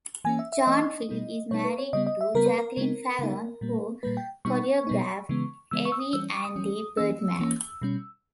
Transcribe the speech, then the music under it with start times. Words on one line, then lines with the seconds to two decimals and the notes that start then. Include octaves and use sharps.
John Field is married to Jacqueline Fallon, who choreographed, "Evie and the Birdman".
0.24 E3 A#3 C#4 G#5
0.39 E5
0.52 E5
0.66 E3 A#3 C#4 D#5
1.09 B2 G3 B3 D#4
1.51 B2 G3 B3 D#4 C#5
1.64 B4
1.78 C#5
1.93 C#3 G3 B3 D#5
2.07 D#5
2.21 E5
2.35 C#3 G3 B3 A#4
2.46 B4
2.58 A#4
2.77 C#3 G#3 B3 D#4
3.19 C#3 G#3 B3 D#4
3.61 A#2 G3 A#3
4.03 A#2 G3 A#3 B4
4.17 G5
4.45 B2 G3 B3 D#4 C#6
4.87 B2 G3 B3 D#4
5.29 C#3 E3 G#3 B3
5.71 C#3 E3 G#3 B3 E6
5.85 C#6
5.92 E6
5.99 D#6
6.13 E3 G3 C#4 E6
6.34 C#6
6.45 D#6
6.56 E3 G3 C#4
6.97 E3 A#3 C#4 E6
7.39 E3 A#3 C#4
7.82 B2 G3 C#4